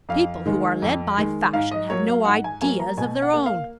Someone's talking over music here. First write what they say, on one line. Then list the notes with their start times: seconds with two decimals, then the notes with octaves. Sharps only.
People who are led by fashion have no ideas of their own.
0.09 F2 F5
0.46 D#3 G#3
0.82 F2
1.18 D#3 G#3
1.53 G#2 F5
1.71 D#5
1.90 F#3 A#3 C#5
2.08 F5
2.25 G#2 F#5
2.44 G#5
2.61 F#3 A#3 G#5
2.80 A#5
2.97 B2 G#5
3.22 F#5
3.34 A#3
3.46 F5